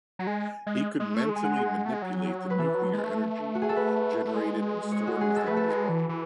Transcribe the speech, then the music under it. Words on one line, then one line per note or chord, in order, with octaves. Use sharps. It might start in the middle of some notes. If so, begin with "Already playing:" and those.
He could mentally manipulate the nuclear energy generated and stored within his body.
F#3
G#3 G#5
G#3
G#3
A3
G#3
G#5
F#5
A3
G#3
F#3
B4
E3 A4
F#3
G#3
A3
F#4
G#4
A4
B4
A3
G#3
C#5
F#4
G#4
A4
A3 B4
A4
G#3
E3
E3